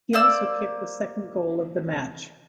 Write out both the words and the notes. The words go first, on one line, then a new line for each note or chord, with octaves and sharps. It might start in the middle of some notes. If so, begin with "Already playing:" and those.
He also kicked the second goal of the match.
A#3 C5 D5 E6